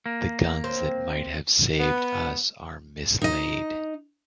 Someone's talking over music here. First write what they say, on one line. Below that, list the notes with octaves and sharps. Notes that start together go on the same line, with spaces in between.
The guns that might have saved us are mislaid.
A#3
C4
B3
D#4 D#5